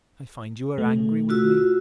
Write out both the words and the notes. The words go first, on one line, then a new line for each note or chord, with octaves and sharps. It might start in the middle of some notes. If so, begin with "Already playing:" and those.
I find you are angry with me.
B2 A3
F4 F#4 E6